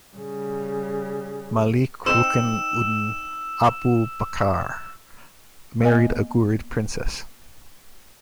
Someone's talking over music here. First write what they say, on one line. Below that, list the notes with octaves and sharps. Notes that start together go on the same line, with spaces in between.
Malik Rukn-uddin Abu Bakr, married a Ghurid princess.
C#3 G3
C4 D#4 C5 E6 E7
A#3 B3 D#5 G#5